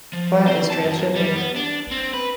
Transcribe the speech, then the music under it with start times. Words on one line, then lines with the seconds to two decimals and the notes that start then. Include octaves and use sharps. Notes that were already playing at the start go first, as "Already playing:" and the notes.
Platt is transgender.
0.13 F3
0.48 C4
0.70 A5
0.84 F#2
1.16 G3
1.36 B3
1.56 D4
1.91 C4
2.14 B4